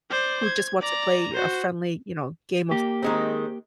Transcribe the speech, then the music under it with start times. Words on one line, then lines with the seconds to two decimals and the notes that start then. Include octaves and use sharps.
who just wants to play a friendly, you know, game of
0.11 C5 D5
0.45 G#6
0.81 D5 A#5
1.33 F#4 C5
2.71 A#3 G4
3.02 D#3 G#3 C4